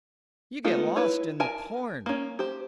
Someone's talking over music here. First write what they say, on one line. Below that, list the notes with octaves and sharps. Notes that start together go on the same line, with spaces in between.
You get lost in the corn.
G#3 A3 B3 D#4 F4
E4 B4 C#5
A#4 G#5 A5
A#3 C#4
G4 C5